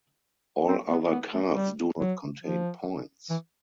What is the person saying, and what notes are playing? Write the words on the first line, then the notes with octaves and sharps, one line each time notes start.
All other cards do not contain points.
C4
B3
B3
A3
G3
F#3
F3
E3